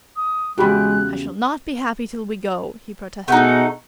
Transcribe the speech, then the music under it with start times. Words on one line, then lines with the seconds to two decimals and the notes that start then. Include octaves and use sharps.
"I shall not be happy till we go!" he protested.
0.16 D#6
0.58 E2 C#3 G#3 F#4 G4 B5 F#6
3.28 B2 A3 D#4 G#4 F#5